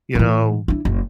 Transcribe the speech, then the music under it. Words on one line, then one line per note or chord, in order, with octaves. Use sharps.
you know,
A2 E3
D4 E4
F#1